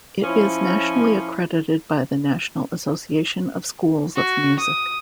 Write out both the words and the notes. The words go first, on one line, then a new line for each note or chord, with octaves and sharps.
It is nationally accredited by the National Association of Schools of Music.
F3 C#4 E4
F#4
D#6